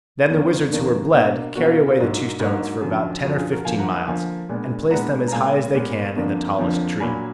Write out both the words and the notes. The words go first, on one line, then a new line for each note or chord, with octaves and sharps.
Then the wizards who were bled carry away the two stones for about ten or fifteen miles, and place them as high as they can in the tallest tree.
F2 D#3 A#3 D4
F2 D#3 A#3 D4
B2 A#3 D4
B2 A#3 D4 F#4
F4
F4
G#2 F#3 A#3 D4
G#2 F#3 A#3 D4 F#4
F#2 D3 F3
F#2 D3 F3 F#4
F4 G#4
F#4 A#4
D3 F3 A#3 F5 G#5
F#5 A#5
D#5 F#5
D3 F3 A#3 F5 G#5
A#2 G#3 B3 D4
A#2 G#3 B3 D4 F#5 A#5
A#5
A#2 G#3 B3 F5 G#5
A#2 G#3 B3
F2 D3 F3 A#3 D4
F2 D3 F3 A#3 D4
A#2 F#3 A#3 D4 G#5 B5